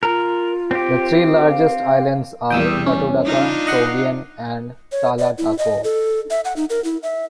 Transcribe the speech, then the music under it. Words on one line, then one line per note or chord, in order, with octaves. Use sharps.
The three largest islands are Batudaka, Togian, and Talatakoh.
F4 A#4
C4 G4
F5
E2 G3 G5 D#6 E6
C#4
D4 D#4 F4
D#5 F#5 C7
C#5
D5
E4
D#5
A4
E5
F#5
D#4
A#4
E4
E5